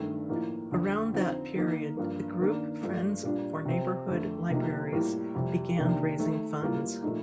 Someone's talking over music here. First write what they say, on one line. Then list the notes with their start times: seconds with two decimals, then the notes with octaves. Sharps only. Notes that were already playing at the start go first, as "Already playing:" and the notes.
Around that period the group Friends for Neighborhood Libraries began raising funds.
Already playing: G2 D#3 A3
0.29 A2 F3 A#3 D#4
0.72 F2 D3 F3
1.13 D3 F3 C4 D#4
1.55 D#3 A#3 D#4
1.97 G2 F3 A#3
2.40 D#3 A#3 D4
2.81 G2 F3 A3 D4
3.23 A#2 G3 D4 F4
3.65 C3 F3 C4
4.08 F2 D3 A3
4.50 C3 F3 A#3 D#4
4.92 A2 G3 A#3 F4
5.35 F2 C3 G3
5.76 C3 D#3 A#3 D4 F4
6.18 D#3 A3 D#4
6.61 A2 G3 A#3 F4
7.03 A#2 F3 A3 D#4